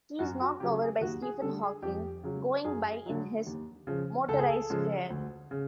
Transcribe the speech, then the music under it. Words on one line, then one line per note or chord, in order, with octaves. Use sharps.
He is knocked over by Stephen Hawking going by in his motorized chair.
F#2 F#4
F#4
C#3 F#3 G4
G#4
D#2 F#4
G#4
D3 G3 A4
G#4
F2 G4
C#3 F#3
F#2 G#4
D3 F#3
D#2
C#3 F3
C#2 A4
G#4
A4
C#3 F3 G#3
D2
C#3